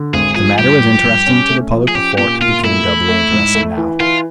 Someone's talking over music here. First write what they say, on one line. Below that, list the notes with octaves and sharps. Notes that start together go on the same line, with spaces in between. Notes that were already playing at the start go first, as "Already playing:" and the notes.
If the matter was interesting to the public before, it became doubly interesting now.
Already playing: D3
G#1 G#4
F3 G#4
G2 G4
F3
G2
C#4
A3
F3
G#4
C#4 G4
A#2 G4
A#2 F4
A3 E4
A3
A3
G#2
A3
E3
E3 F4